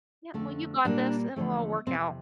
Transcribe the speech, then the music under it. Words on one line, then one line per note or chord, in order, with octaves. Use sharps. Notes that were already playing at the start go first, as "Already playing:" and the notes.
Yep. Well, you got this. It'll all work out.
F2 D3 A3
A#2 G3 A#3 D4
E2 D3 F3 A3
F2 C3 E3 C4